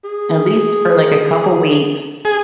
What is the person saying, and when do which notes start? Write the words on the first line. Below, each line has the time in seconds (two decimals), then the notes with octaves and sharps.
at least for like a couple weeks,
0.04 G#4
2.25 G#4